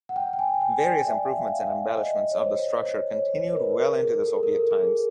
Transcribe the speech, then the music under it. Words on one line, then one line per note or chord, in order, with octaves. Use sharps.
Various improvements and embellishments of the structure continued well into the Soviet times.
F#5
G5
G5
G#5
G#5
G5
D5
E5
F5
E5
D#5
C#5
C5
C5
C#5
C#5
C5
A#4
B4
A#4
G#4
A4
A#4
A4
G#4